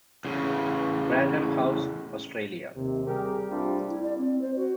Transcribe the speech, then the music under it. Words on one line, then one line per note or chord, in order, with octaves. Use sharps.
Random House Australia.
E2 C#3
D#2 C3
G3 G4 G#4 A#4
C2 G3 A3 C4 D4 F4
E4
D5
C4
C5
F#4